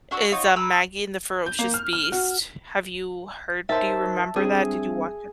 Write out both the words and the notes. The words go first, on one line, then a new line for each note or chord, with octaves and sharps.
is, uh, Maggie and the Ferocious Beast. Have you heard do you remember that? Did you watch
D4 F#4 D5 E6
D#4 F4 F#4 C#5
A#5 B5 E6
G6
A#3
F6
F6
F#4
D#4 A#4 C5 E5 A5
G3 C4 D4 G#4